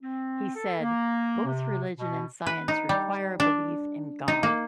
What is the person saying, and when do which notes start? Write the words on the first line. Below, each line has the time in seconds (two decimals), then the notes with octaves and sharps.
He said: Both Religion and science require a belief in God.
0.03 C4
0.55 A4
0.80 A#3
1.46 C3
1.98 B2
2.46 B4
2.68 D#4
2.89 G3
3.40 D4
4.28 D#4
4.43 A#3